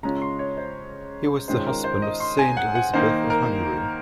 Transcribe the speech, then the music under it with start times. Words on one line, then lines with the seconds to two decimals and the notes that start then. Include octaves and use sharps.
He was the husband of Saint Elizabeth of Hungary.
0.03 C#3 G#3 C#4 F4 A#5
0.22 C6
0.39 C#5
0.57 C5
1.48 D#3 G#3 C#4 F4 C5
1.67 A#4
1.84 C5
2.02 D#5
2.20 C6
2.39 G#5
2.57 F#5
2.75 F#5
2.94 D#3 A#3 D#4 C5
3.30 A#4